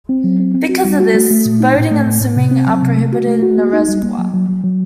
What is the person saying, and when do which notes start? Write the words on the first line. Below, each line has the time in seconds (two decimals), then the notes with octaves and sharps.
Because of this, boating and swimming are prohibited in the reservoir.
0.09 C4
0.24 F#3
0.40 C4
0.54 C4
0.69 F#4
0.85 G3
1.00 F#4
1.15 A3
1.31 A3
1.45 A#2
1.60 D#4
1.76 A2
1.91 A3
2.06 A2
2.21 A2
2.36 C3
2.51 C4
2.67 F#3
2.82 C3
2.97 A3
3.12 F#4
3.27 A3
3.42 F#4
3.58 A#3
3.73 D#4
3.89 G3
4.03 A#3
4.18 F#3
4.33 F#3
4.49 F#3
4.64 F#3